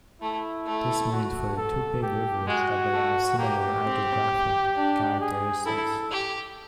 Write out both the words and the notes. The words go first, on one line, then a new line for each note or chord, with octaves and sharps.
This means for the two big rivers that they have very similar hydrographic characteristics.
A3 E4
A3
F#4
A4
G4
G#3 F#4
A3
A#3 G4
C4
D4
G#4
E4 A4
G4